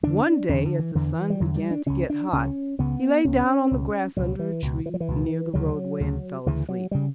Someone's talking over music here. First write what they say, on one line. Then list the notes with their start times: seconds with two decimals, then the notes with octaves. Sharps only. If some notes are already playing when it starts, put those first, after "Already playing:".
One day, as the sun began to get hot, he lay down on the grass under a tree near the roadway, and fell asleep.
0.03 E2 D3 D4
0.49 E2 D3 C#4
0.64 D3
0.79 E3
0.95 E2 D3 E3
1.30 G3
1.40 E2 D3 F#3
1.55 G3
1.71 D4
1.86 C#2 C#3 C#4
2.10 D4
2.32 C#2 C#3 C#4
2.78 C#2 C#3 B3
3.25 C#2 C#3 C#4
3.71 C#2 B2
4.17 C#2 B2 F#3
4.39 E3
4.62 C#2 B2
4.86 E3
4.94 F#3
5.00 E3
5.08 C#2 B2
5.54 D2 C#3 F#3
6.00 D2 C#3
6.46 D2 C#3 E3
6.69 F#3
6.91 C#3 G3